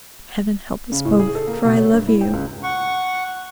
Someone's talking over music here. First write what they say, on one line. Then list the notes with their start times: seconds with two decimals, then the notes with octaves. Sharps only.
"Heaven help us both; for I love you!"
0.92 C#3
1.05 A2
1.19 G#4
1.35 A4
1.47 A#3
1.65 B2
1.77 C#5
1.93 G2
2.07 E4
2.21 G5
2.33 C#2
2.63 F#5 C#6